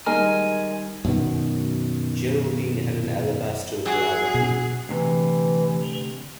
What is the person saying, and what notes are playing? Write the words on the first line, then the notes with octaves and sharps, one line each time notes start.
Geraldine had an alabaster brow too.
D#3 G3 G#3 A#4 G#5
F#2 B2 D#3
F#3 G#4
B2
D2 C3 E3